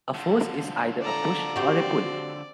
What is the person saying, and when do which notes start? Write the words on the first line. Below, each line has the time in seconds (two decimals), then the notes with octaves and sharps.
A force is either a push or a pull.
0.14 D3 F3
1.01 A4 D5 A#5
1.56 C4 F#4 G4